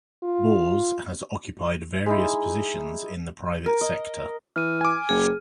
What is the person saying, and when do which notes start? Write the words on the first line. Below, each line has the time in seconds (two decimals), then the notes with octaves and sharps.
Bours has occupied various positions in the private sector.
0.23 F4
2.06 G#3 D#4 E4
3.66 A#4
3.81 D#5
4.56 E3 F6 D#7
4.81 G#5 D6
5.09 F#1 G#4